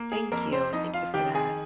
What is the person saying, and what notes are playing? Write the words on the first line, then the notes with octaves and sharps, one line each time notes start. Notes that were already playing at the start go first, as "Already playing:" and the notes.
thank you, thank you for that,
Already playing: A#3
G#4
F2 A#3 A#4
C4 C5
F2 D#4 D#5
F4 F5
D#3 G4 G5
G#4 G#5